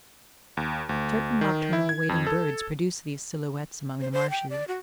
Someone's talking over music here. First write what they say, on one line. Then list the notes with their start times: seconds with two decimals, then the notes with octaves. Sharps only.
Certain nocturnal wading birds produce these silhouettes among the marshes.
0.57 D#2
0.89 D2
1.41 D#3
1.73 E4
1.89 G#6
2.09 F2
2.27 A4
4.01 C5
4.12 C5
4.30 G5
4.50 D5
4.68 F#4